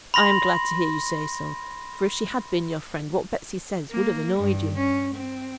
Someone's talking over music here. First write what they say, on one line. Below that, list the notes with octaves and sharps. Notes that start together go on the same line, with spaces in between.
'I am glad to hear you say so, for if she had been your friend, what Betsy says would have annoyed you.'
B5 C6 A#6 F#7
A#3
G2
C#4
C4